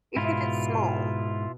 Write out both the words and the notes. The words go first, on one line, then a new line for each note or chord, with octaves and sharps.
even if it's small,
G#2 B2 E4 F4